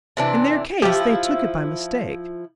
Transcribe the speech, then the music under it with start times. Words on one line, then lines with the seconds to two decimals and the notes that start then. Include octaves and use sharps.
In their case they took it by mistake.
0.17 C3 E3 D4
0.82 F3 E4 G4